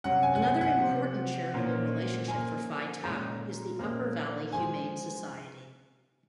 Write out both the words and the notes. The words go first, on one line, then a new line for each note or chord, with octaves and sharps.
Another important charitable relationship for Phi Tau is the Upper Valley Humane Society.
C3 F#3 C#4 F#5
G#5
F#5
G#5
F#5
C3 F3 C4
A#2 F3 A#3 C#4
F3 A#3 C#4 G#5
A#2 G#3 C#4 A#5
A#2 F3 A#3 C#4
F3 G#3 G#5